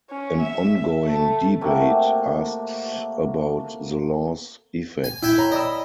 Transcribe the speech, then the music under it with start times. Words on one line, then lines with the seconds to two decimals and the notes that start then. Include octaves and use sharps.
An ongoing debate asks about the law's effects.
0.10 C#4
0.41 E5
1.05 A3
1.61 C3 A3 A#3 F#4
5.04 G#5
5.23 E4 E5 G5 G#5
5.38 C#5 A#5 B5
5.52 D5 D#5 B5 E6